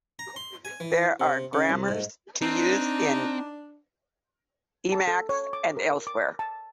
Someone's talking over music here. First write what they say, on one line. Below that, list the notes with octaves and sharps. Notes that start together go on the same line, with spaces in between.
There are grammars to use in Emacs and elsewhere.
A#5
C6
G#5
E3
C3
C#3
C2
G#2
C4 D4 D#4
A5
A4
C#5
D6
A#4
D6
A5